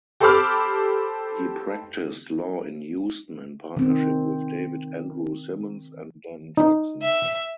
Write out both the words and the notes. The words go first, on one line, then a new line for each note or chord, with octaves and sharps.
He practiced law in Houston in partnership with David Andrew Simmons and Dan Jackson.
G4 A4 C5 B5 D6 F6
D#3 C4
D#4
E5